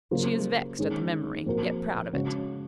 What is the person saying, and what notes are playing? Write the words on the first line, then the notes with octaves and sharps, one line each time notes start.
She is vexed at the memory, yet proud of it.
C#3 F#3 A#3 F4 C5
D#3 G#3 C#4 G#4
A#2 F3 C4 F#4 A#4
C#3 G#3 C#4 F#4 C#5